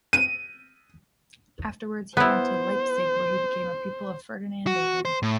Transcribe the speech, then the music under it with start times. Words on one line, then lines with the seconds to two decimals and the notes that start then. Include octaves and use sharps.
Afterwards he went to Leipzig, where he became a pupil of Ferdinand David.
0.13 D#7
2.17 B3 E4 C5
4.67 F#4
5.05 C5
5.23 A2